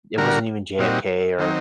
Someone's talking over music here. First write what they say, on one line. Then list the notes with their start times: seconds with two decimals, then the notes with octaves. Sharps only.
it wasn't even JFK or
0.18 D3 G3 A#3 F#4 A#4
0.79 A#2 G3 C4 D#4 F#4
1.39 D#3 F#3 C4 D#4